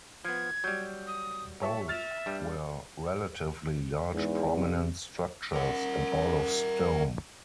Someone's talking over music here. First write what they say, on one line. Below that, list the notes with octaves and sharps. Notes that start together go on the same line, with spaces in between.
Both were relatively large prominent structures, and all of stone.
F3 B3 G#6
F#3 G3 G6
D#6
C#5 E5 A5 C#6
E5 F6 A6 F7
G2 G3
E2 G#2
C3
A#4 F#5